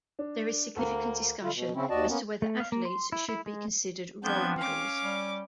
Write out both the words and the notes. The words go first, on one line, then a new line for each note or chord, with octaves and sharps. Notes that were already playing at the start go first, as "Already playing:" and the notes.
There is significant discussion as to whether athletes should be considered role models.
D4
D2 A#3
D3 E4 F4
B2
C#3 C4 C#4 E4
D#2 F#4 D5 D#5 A5
A#3 B3 C#4
A3
F5
A#3
C6
E4
E4
G#3
F3 B3 C4 D4 G6 G#6
C#4 F5 D6
G3